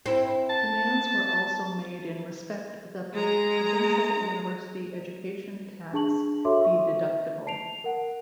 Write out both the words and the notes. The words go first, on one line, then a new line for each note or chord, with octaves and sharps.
Demands were also made in respect that the provincial university education tax be deductible.
C4 E4
A5
G#3 A#5
D4 G#4 A5 C#6 F#7
F#4 A4 C#5 E5 C6 D6
E5 C#6
A5 C7 D7 F7
A#4 F#5